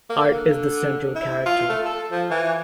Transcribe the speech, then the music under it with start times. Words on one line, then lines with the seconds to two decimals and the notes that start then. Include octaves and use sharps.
Art is the central character.
0.09 A#3
0.34 D3
1.15 E4
1.46 F4
1.69 A3
1.85 A4
2.11 F3
2.30 E3